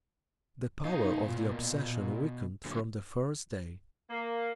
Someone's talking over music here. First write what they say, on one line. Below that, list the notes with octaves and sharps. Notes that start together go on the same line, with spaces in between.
The power of the obsession weakened from the first day.
B2 D#4 F5
A#2
A#2 D3 F#3
A#3